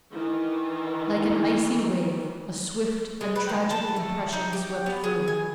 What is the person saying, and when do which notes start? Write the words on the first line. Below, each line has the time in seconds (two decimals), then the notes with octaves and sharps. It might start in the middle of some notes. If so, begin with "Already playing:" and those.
Like an icy wave, a swift and tragic impression swept through him.
0.11 D#3 E3
3.21 G#3
3.36 B4
3.49 D#3
3.70 A5
3.96 A3
4.32 D#4
4.53 G4
4.86 B3
5.04 G#4
5.28 G#5